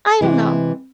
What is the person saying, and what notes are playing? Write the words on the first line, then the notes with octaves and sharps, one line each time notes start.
I don't know.
C3 E3 G#3 E4